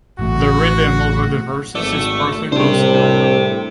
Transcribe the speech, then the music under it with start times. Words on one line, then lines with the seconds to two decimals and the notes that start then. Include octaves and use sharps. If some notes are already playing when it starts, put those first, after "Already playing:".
The rhythm over the verses is partly bossa nova.
0.19 A1 A3 F#4
1.75 G#1 A3 D5
2.52 C2 A2 D4 G4 C5